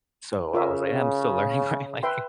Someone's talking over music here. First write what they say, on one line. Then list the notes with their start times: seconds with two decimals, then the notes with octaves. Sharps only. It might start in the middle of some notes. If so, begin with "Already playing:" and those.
so I was like, "I'm still learning, right?" Like
0.54 C#3 F4 A#4 C#5 E5
2.03 B4 E5 G5 C6